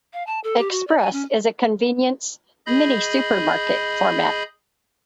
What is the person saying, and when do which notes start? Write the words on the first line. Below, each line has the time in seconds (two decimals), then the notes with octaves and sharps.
Express is a convenience "mini-supermarket" format.
0.13 F5
0.27 A5
0.44 A4
0.58 G4
0.71 F#4
0.87 D5
1.00 G#5
1.13 C#4
2.66 G#4 D#5 B5 G6